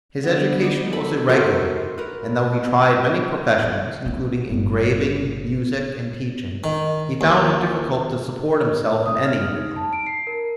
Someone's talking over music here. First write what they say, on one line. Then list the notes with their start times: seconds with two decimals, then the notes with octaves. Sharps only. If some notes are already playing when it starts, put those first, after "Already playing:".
His education was irregular, and though he tried many professions--including engraving, music, and teaching--he found it difficult to support himself in any of them.
0.24 D3 B3
0.62 D#4 D5 D#5
0.93 A4 B5
1.29 F#4 A4 A#4 C5
1.98 A#4 B4
3.63 D#3
4.06 A#3
4.49 G1
6.64 D#3
7.21 D#2
9.06 D#6
9.25 F6
9.56 D#4
9.76 A5
9.93 D7
10.06 C7
10.27 A#4